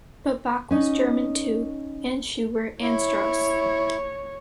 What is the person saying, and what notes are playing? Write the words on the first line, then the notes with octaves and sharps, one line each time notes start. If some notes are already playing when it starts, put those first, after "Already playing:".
But Bach was a German too-and Schubert, and Strauss.
C#4 D#4
E4 C#5